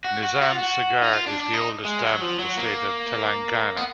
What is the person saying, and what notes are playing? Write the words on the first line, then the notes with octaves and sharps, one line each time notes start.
Nizam Sagar is the oldest dam in the state of Telangana.
F#4
F#4
F#4
F4
F#4
D#4
F4
D4
D4
D#4
G#3
F#3
F3
F#3
A#3
B3